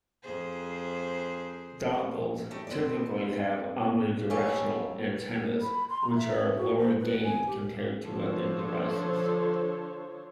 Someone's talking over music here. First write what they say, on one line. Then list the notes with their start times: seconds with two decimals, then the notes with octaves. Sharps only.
Dongles typically have omnidirectional antennas which are of lower gain compared to other devices.
0.23 F2 G#4 C5
2.51 G3 A3 D#4 G4
2.67 C4 B4 D5
4.30 G4 A4 B4 C#5 F5 G#5
5.39 A#4
5.60 B5
5.89 C6
6.01 A#5
6.16 E5
6.57 F#4
6.78 C5
7.00 B4
7.23 G#5
7.47 G4
8.03 D3 F3 A4 C5 C#5